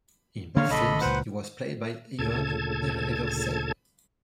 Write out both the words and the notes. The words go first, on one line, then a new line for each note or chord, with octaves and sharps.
In both films he was played by Ivan Pereverzev.
D3 A#3 D4 C#5 F5
A1 C#3 A4 D#5 B5
C#2 A#2 B4 C5 F#5
D2 A#2 C#3 A4 A5 G#6